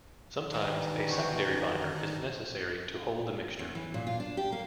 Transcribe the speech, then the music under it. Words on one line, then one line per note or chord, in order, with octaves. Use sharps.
Sometimes a secondary binder is necessary to hold the mixture.
D#3 E3 G3 D4 D#4
D3 C4 F#4
E2
E3
A#2
F4
D4
G4
A#3